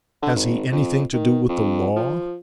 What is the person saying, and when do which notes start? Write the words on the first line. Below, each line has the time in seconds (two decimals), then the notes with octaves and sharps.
Has he anything to do with the law?'
0.22 D3
0.35 G#1
0.72 F2
1.13 D#3
1.49 F2
1.96 F3